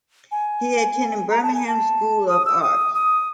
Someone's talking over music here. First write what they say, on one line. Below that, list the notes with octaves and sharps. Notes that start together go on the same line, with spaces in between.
He attended Birmingham School of Art.
G#5
A#5
A5
G#5
A5
D#6
E6
D#6
D#6